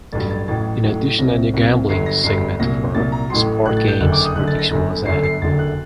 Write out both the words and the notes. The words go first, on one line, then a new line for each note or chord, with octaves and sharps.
In addition a new gambling segment for sport games prediction was added.
A1 G2 F#3 A6
A6
A1 A2 F#3 A6
A1 A2 F#3
C2 C3 F#3 A#6
C2 C3 F#3
G1 G2 F#3 C7
A#6
G1 G2 F#3 C7
C2 A#2 F#3 A#6
C2 A#2 F#3 A6
A#5
A1 A2 F#3 C6
A1 A2 F#3 F#6
A6
G6
F#1 F#2 D3 F#6
D6
D#6
F#1 F#2 D3 F#6
A6
A#6
G1 F#2 D3
G1 F#2 D3 C7
C7
F#1 F#2 D3 F#3 A6
F#6